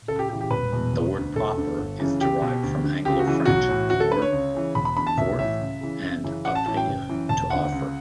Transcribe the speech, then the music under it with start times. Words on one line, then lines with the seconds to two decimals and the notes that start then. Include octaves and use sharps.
The word proffer is derived from Anglo-French "por-", forth, and offrir, to offer.
0.08 C#2 A4
0.19 G4
0.29 C#3 E3 G4
0.41 G4
0.50 E1 B4
0.72 E2 B2
0.93 E1
1.14 D2 D3
1.36 E1 A4
1.57 D2 D3
1.78 G1
1.99 F#2 C#3 E3
2.21 C#2 G4
2.42 B2
2.63 D2
2.84 D3
3.05 C#2 G4
3.19 F#4
3.27 C#3 E3
3.45 B1 F#4
3.69 A2 E3
3.90 D2 F#4
4.00 A4
4.12 D3 B4
4.22 C#5
4.32 C#2
4.54 C#3 E3
4.75 E1 B5
4.85 B5
4.96 E2 D3 B5
5.07 A5
5.18 B1 E5
5.39 A2 E3 E5
5.60 C#2
5.81 C#3 E3
6.02 F#1
6.23 F#2 C#3 E3
6.45 A1 F#5
6.55 A5
6.66 A2 E3 A5
6.77 G5
6.87 F#1
7.09 F#2 E3
7.29 E1 A5
7.50 D2 D3 F#5
7.72 C#2